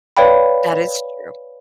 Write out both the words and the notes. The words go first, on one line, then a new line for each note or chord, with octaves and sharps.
That is true.
B4 C#5 D5 F5 G5 B5